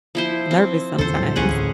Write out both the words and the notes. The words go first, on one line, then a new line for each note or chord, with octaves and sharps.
nervous sometimes.
F3 E4 C5
C4
D#2 C#3 A4 C5
A2 F#3
A1 D2 A2 C#4 G#4 F#5